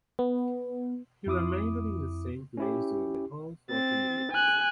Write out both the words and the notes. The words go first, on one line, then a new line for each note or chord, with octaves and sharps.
He remained in the same place during the whole fourteen years.
B3
F2 E4 D6 D#6
C#4 E4 G4
C4 A6
G#5 F#6